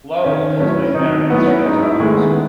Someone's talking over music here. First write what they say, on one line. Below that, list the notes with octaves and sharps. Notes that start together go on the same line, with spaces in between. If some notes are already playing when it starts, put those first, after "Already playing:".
Lowell has been married three times.
D#3 C#4
F#3 A3 C#4 E4 B4
C#4
D#3 D#4
F#3 A3 B3 E4 B4
C#4
G#2 D#4
E4
D#3 G#3 A3 C#4 G#4
B3